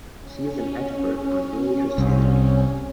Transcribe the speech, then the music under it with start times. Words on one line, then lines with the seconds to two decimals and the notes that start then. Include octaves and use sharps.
She is an expert on early Christianity.
0.22 C#4
1.98 C2